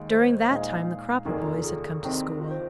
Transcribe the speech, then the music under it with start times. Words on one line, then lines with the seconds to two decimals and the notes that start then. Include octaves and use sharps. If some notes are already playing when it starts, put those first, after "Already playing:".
During that time the Cropper boys had come to school.
Already playing: D#2 D#3 G#3
0.10 C5
0.49 A#2 G#3 D#4 G#4 F5
1.25 F1 D#2 D#3 A#3 D#4 G#4
1.45 F4
1.64 G#4
2.02 C2 C3 D#3 C4
2.40 F4
2.51 C5